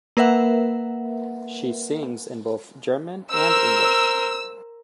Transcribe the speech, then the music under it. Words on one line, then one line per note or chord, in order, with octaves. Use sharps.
She sings in both German and English.
A#3 A#4 B4 E5 F#5
A#4 C5 E6